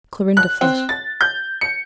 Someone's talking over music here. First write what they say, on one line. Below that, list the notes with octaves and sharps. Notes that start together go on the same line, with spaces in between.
Clorinda flushed.
F#6
C4
A6
G6
C#7